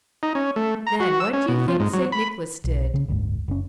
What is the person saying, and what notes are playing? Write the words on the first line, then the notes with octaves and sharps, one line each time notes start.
Then what do you think St. Nicholas did?
D#4
C#4
A3
A#5
F#4
E6
C#4
B2
F3
G#2
F#3
B5
B1
C#3 C#4
F#1 D2 G#2
F#1 C#4